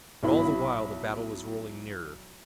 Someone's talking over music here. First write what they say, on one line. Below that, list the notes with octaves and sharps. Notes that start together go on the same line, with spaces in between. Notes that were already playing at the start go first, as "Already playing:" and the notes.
But all the while the battle was rolling nearer.
B1 E4 B5